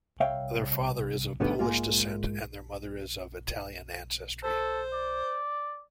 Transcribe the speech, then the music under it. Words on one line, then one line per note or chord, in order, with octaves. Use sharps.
Their father is of Polish descent and their mother is of Italian ancestry.
C2 C#5 E5 F5 G5
A2 D3 D#3 G3 B3
G#2 G#3 A#3 F4
A4 C5
D5